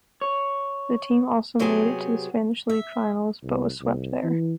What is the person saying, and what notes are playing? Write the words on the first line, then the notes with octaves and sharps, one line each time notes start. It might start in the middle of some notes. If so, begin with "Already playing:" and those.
The team also made it to the Spanish League finals, but was swept there.
C#5
C3 F#3 B3 G4 G#4
E5
C2
C2
E3